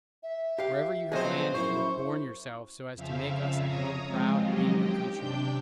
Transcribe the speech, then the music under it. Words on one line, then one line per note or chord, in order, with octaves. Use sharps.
Wherever you have landed you have borne yourselves so as to make us at home proud of being your countrymen.
E5
G4 F5
B2 F3 F#3 C4 G#4 C5 D#5
F#2 E4 C5 C#6
F2 C#3 F3 E5 F5
C#5 A#5 D#6
F3 G#3 C4 F4
D#3 F#3 C4 C#4 G4 D#5
G4 G5
C3 D4 G5 G6